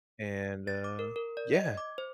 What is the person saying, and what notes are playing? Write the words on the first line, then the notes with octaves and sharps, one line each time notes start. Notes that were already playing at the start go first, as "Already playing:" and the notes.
and, uh, yeah,
A6
D6
A#4
A#4
D5
D#5
G#6
D6
C5